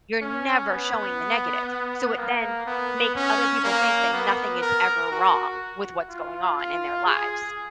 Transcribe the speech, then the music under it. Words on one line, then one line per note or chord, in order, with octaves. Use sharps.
You're never showing the negative. So it then makes other people think that nothing is ever wrong with what's going on in their lives.
C#4
B3
A#3
B3
C#4
A#3
B3
A#4
F#4
F4
F4
G#4